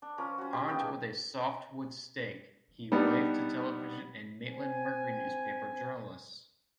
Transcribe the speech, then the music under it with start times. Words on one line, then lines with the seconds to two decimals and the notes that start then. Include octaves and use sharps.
Armed with a softwood stake, he waved to television and Maitland Mercury newspaper journalists.
0.02 D4
0.18 F3 C#4 A#4
0.38 C#4 F#4
0.53 G4 E5
0.68 A#3 B3 D#4 G5
0.79 D4 G#4
2.92 G3 B3 D4 D#4
4.48 C4 G#5